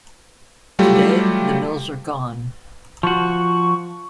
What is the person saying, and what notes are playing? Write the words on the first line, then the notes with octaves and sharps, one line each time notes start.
Today, the mills are gone.
F#3 G3 A3 F4 G4
F3 F#4 C#6